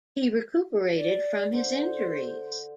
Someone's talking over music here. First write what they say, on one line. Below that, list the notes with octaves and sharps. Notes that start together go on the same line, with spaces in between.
He recuperated from his injuries.
D5
D3 C5